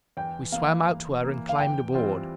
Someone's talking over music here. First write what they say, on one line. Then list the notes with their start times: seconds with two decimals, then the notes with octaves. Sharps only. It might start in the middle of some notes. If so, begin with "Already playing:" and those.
We swam out to her and climbed aboard.
0.17 E2 G5
0.52 E3 A#3 F5
0.88 E2
1.23 E3 A#3
1.49 F5
1.59 E2 G5
1.94 E3 G3 C4 F4